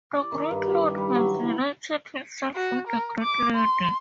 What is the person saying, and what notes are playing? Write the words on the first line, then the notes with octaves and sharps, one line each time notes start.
The great lord has united himself with the great lady.
D5
D#3
G2
G4
D#3
G3
F#3
E3
F#4
A#4
D6
C6